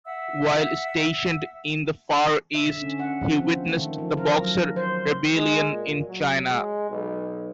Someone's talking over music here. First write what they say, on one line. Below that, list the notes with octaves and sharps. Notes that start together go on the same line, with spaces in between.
While stationed in the Far East, he witnessed the Boxer Rebellion in China.
E5 F#5 E6
E5
D3
C#4
F#5
F3
C4
A3
D#3
F3
A#4
F#3
C5
G#3
A#2
F#3
G#3
B1